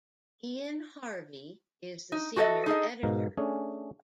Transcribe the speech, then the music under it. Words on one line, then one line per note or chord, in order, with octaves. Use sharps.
Ian Harvey is the Senior Editor.
D#4
F#4 G4 A4 A#4 D#5 E5
D#4 G#4 A4 D#5
G#2 B2 A#4 F5
A3 C#4 D4 G#4